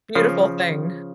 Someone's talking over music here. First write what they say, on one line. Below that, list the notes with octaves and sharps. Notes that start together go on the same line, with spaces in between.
beautiful thing.
C#3 F3